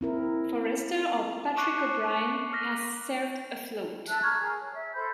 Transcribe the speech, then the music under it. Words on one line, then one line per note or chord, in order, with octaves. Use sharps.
Forester or Patrick O'Brian, he has served afloat.
C4 E4 A#4
C#6 D6 F#6 C7 C#7 D#7
F6 A#6 B6
A4 E5 A5 F#6
A#5 C#6 F6 G#6
G#4 A#4
C#5
E5
A4 C5 B5 G6